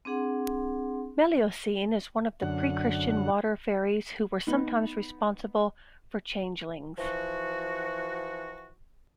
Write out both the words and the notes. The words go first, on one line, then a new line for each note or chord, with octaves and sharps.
Melusine is one of the pre-Christian water-faeries who were sometimes responsible for changelings.
C4 D4 G#4 F#5 C6
F#2 D3 F#5
B3 D#4
E3 F3 F#4